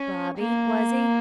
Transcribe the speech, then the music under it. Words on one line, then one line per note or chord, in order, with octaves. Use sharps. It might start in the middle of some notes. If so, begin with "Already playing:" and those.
"Bobby, was he?"
Already playing: C#4
A#3